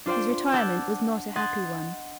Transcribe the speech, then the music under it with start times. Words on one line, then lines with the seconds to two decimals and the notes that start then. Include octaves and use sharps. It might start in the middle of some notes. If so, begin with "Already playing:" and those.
His retirement was not a happy one.
0.06 D4 F4 C5 D5 G5
0.53 F#5 A5 D6 E6 G6 G#6
1.36 D#5 F#5 C6 G#6 A6